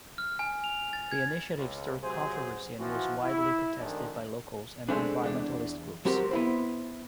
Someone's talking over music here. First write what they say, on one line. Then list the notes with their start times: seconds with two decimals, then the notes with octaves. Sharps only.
The initiative stirred controversy and was widely protested by locals and environmentalist groups.
0.18 F6
0.39 G#5
0.64 F7
0.93 A6
1.12 G#6
1.56 C#2
2.02 C3 F#3 B3 G#4 C5
2.79 E3 F3 C4 F#4
3.23 E4
3.79 A1 F2 D#3 F3 G#3 D4
4.89 G#3 A3 C4 D4
5.24 E2 D4
6.05 F#3 C4 G4 A#4 C5
6.31 B3 E4 C5